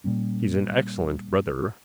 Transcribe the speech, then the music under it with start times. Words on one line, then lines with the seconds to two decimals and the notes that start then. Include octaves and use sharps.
He's an excellent brother.
0.04 A#2 G3 A#3 C#4